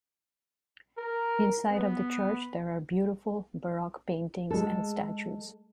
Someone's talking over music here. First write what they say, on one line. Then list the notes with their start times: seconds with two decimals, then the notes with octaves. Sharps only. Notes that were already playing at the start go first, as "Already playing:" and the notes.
Inside of the church there are beautiful Baroque paintings and statues.
0.98 A#4
1.71 B3
4.51 G#3 A4